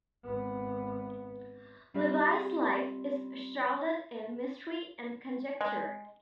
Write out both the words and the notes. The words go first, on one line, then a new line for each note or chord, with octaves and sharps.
Levi's life is shrouded in mystery and conjecture.
G#1 B3
G3 C4 F4 G4 D5 E5
G#3